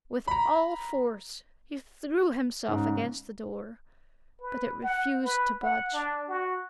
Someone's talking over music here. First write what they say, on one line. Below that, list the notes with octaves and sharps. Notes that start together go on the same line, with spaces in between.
With all force he threw himself against the door, but it refused to budge.
A#5 B5
G#2 C#3 D#4
B4
F#5
B4
F#5
D4
F#4